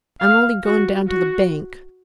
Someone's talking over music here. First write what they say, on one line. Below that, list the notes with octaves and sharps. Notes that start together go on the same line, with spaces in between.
"I'm only going down to the bank."
F5
F#4
F#4